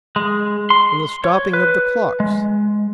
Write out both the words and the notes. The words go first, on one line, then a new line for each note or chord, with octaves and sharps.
And the stopping of the clocks?
G#3
C6
C#5
B4
G#3